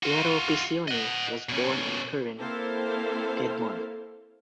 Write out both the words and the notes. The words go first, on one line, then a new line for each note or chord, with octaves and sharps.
Piero Piccioni was born in Turin, Piedmont.
F4 F#4
D#5 F#5
B2 C#4
A#3 C4 E4 A4 C5 F5